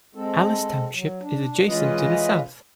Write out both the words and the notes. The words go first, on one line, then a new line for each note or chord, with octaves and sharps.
Allis Township is adjacent to the south.
G#3 C4 A4
F#3
D4
E3 G#3 C#4 F4 B4 D#5